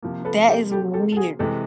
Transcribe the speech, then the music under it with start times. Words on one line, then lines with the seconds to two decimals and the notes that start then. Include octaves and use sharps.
That is weird.
0.02 C3 F3 A#3
0.25 A4 B4
0.48 G4 A4
0.71 G4 A4
0.93 G4 A4
1.12 A4
1.16 F#4 G#4
1.39 C3 E3 G#3 G4 A4